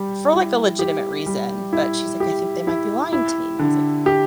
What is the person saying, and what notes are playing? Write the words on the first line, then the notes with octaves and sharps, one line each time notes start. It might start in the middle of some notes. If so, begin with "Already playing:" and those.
For, like, a legitimate reason, but she's, like, "I think they might be lying to me," and I was, like,
Already playing: G3 G4
E4
G4
G3
E4
G4
E4
E4
D3
G4